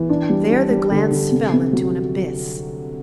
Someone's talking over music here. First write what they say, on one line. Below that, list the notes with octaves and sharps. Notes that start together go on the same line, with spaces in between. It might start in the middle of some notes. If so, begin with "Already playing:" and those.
There the glance fell into an abyss.
Already playing: E3
D4
G3
D4
G3
D3
D3
C3
C3
F#3